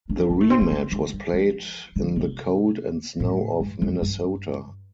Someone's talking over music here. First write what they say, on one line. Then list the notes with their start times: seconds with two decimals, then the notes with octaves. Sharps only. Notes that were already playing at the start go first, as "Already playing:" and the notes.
The rematch was played in the cold and snow of Minnesota.
0.10 D4
0.30 C4
0.41 A3
0.50 C4
0.61 C4
0.72 C4
0.92 A3
1.13 G3
1.33 F3
1.96 D3
2.16 C3
3.20 A2
3.60 G2
3.82 F2
4.02 G2